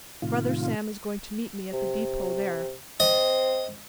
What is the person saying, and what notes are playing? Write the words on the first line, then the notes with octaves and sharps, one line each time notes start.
Brother Sam is going to meet me at the depot there.
A2 C3 D#3 F4
C3
C4 D#5